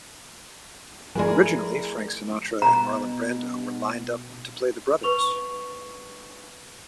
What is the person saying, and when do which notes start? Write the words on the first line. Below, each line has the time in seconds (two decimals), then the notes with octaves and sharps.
Originally Frank Sinatra and Marlon Brando were lined up to play the brothers.
1.15 F3 A3 E4 G#4 A#4
2.62 B2 B3 A#5
5.03 B4 C#6 F7